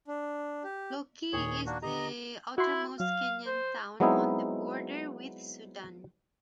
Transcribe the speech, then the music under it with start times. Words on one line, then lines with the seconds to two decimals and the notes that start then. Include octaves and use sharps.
Loki is the outermost Kenyan town on the border with Sudan.
0.08 D4
0.64 G4
1.33 D#2 A#2 D#3 G#4 C#5
1.66 A#3 D4 F#4
1.83 D3 G4 D#5 A#5
2.58 E4 F#4 C6
3.00 F#3 F5
3.47 C5
4.00 F#3 G#3 B3 C4 D#4 E4